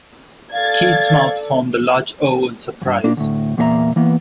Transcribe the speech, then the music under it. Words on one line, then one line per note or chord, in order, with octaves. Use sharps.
Keith's mouth formed a large O in surprise.
A4 D5 F5 G#6 A6
E2 G2
A#2 A#3 D4
D2 A2
E2 A#2 A#3 G#4 E5 A#5
E3 A#3 B3